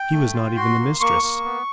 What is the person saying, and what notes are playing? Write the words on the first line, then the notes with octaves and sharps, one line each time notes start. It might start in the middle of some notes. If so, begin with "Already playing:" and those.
She was not even the mistress.
Already playing: G5
A3
F4
F#4 C6
A#3
A#3 C#6
A#3
B3